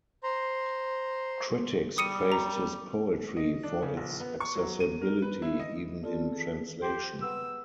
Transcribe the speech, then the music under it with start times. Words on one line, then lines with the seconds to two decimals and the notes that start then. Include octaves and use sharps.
Critics praised his poetry for its accessibility, even in translation.
0.23 C5 A#5 C6
1.98 G3 D#6 C#7 D#7
2.32 A#5
3.37 D#5
3.63 D4
3.82 C#3
3.97 A#1
4.20 B3
4.40 C#6
4.55 F#3
4.80 D#7
5.02 A#4
5.22 B4
5.42 E4
5.59 D#5
6.04 C4 F4 A4 D5
6.33 G#4
6.82 G4 C5
7.22 B3 E6